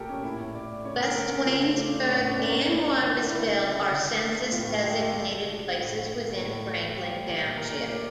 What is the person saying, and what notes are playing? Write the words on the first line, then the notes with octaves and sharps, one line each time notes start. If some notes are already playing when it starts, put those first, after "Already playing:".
West Waynesburg and Morrisville are census-designated places within Franklin Township.
Already playing: A#2 A3 G4 A4 A#4
C#4
A2 E4
A3 D5
C#3 C#5
A#4
A3 A4
C#3 F4
A3 D4
A2 C#4
D4
A3 C#4
D4
A3 E4
F4
D3 D4
C#4
C#3 E4
G3
D3
A3
A2 F4
A3 G4
A4
G4
A3 A4
D3
A2
A3
A2
A3
G3
A#2
A#2 A#4
C#5
A3 D5